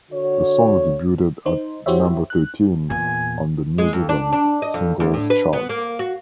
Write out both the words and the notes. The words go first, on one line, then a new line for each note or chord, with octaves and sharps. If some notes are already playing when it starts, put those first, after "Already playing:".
The song debuted at number thirteen on the New Zealand Singles Chart.
D3 F#4 C#5
D#4 C5
E4 F#4 G4 C5 C#5 E5
F#6
E2 A#2 G#5
G#3
F2
D4
D4
D#5
F2
D2
A2
B4
B3
A#3
F#4